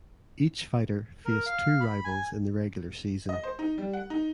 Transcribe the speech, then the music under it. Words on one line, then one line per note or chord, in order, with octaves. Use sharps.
Each fighter faced two rivals in the regular season.
A#4
F5
B5
G#5
D#5
C5
D#4
G3
F#5
D#4